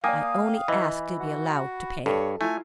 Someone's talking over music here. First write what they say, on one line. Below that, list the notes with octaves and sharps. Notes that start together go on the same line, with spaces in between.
"I only ask to be allowed to pay."
A#3 D5 F5 G5 G#5 D#6
E3 D#5 B5
F#4
G2 A4 C#5
A3 E4 F4 G#5 A#5